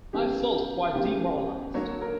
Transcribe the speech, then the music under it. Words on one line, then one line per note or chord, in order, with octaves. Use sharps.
I felt quite demoralised.
C#3 E3 B3 G4
C#3 E3 B3 G4
D3 F#3 A#3 C#5
A#4